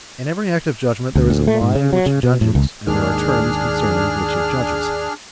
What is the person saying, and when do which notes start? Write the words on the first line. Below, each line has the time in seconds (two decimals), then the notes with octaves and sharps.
In every act of judgement there is a mind which judges, and there are terms concerning which it judges.
1.15 D2
1.30 D2
1.47 A3
1.61 G#2
1.75 C#3
1.93 F#3
2.06 C#3
2.23 B2
2.41 A2
2.55 C#2
2.87 D#2 G#2 D#3 D4 G#4 F6